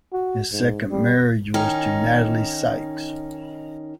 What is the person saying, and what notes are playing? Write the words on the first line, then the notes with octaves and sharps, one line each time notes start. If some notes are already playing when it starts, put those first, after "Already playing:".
His second marriage was to Natalie Sykes.
F#4
G#2
G3
D#3 C#4 D#4